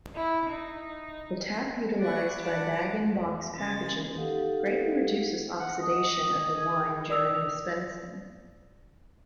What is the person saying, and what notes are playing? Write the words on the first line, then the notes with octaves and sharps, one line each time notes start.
The tap utilised by bag-in-box packaging greatly reduces oxidation of the wine during dispensing.
E4
D#4
D5 F#5 B5 C#6
D5 F#5 A5 B5
E2
C#3 G#3 A6
D#4 G4 A4 F5 F#5
F#5
D#5
D#5
G#4
D5 D#6 E6 F7